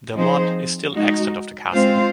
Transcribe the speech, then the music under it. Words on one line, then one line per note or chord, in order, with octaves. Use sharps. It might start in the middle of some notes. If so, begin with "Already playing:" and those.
The motte is still extant of the castle.
F3 C4 D#4 G#4 C5
G#3 D#4 F#4
G#3 C4 F4 C5 F5